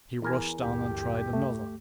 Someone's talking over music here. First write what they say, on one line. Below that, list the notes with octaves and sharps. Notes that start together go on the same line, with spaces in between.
He rushed on and tried another.
E2 A#4 G#5
D2 G2 G4
A3